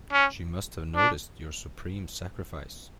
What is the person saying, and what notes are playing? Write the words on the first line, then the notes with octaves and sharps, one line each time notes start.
She must have noticed your supreme sacrifice.
C#4
D4